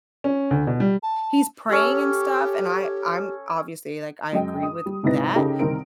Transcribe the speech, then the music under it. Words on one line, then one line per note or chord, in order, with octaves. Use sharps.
he's praying and stuff, and I I'm obviously, like, I agree with that,
C#4
D2
B2
G3
A5
C#4 G4 A4
F#2 G#3 D#5 G5
D#6
G3
G#2 C3 D#4 E4 B4 A#6
C#3 D#4 G4 A4 A#4
C2 D#3 C4 A#4 D7